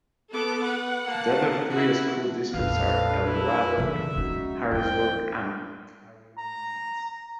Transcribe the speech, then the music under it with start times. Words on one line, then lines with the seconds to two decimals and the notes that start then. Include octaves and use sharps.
The other three school districts are Eldorado, Harrisburg, and Carrier Mills.
0.33 B3 A4 D6
0.64 B4 F#5
1.05 A#3 A5
1.70 E4 F#4
2.54 A#1 F2 D4 A4 B4 F5
3.24 E4
3.78 C#3 E3 E5
4.15 G#3 C#4 D#4 F#4
4.72 F2 G#2 F3 G5
6.38 A#5